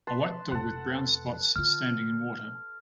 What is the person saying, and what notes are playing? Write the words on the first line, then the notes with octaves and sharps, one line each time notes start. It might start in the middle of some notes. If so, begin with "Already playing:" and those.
A white dog with brown spots standing in water.
B4 A5 C6
F1 A4 F#5
D3 F4 F6